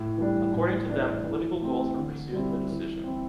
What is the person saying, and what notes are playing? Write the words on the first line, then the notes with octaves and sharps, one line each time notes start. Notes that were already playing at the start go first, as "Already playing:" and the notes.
According to them political goals were pursued in the decision.
Already playing: A2
E3 G3 D4
A2
E3 A3 D4
E3
A3 C4
D3
G3 C4 E4
E3
C4 E4